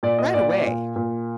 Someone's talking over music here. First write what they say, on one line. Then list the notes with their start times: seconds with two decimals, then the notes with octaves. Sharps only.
"Right away."
0.03 A#2 D5
0.19 D#5
0.34 A#2 D5
0.49 D5
0.65 A#2
0.96 A#2